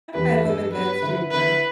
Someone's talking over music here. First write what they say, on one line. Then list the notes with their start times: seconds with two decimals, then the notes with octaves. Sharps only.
I love it that's too funny.
0.14 E2 E3 G3 D4 B4
0.43 G2 G3 B3 A4
0.73 G2 G3 B3 B4
1.02 D3 B3 E4
1.31 D3 B3 E4 B4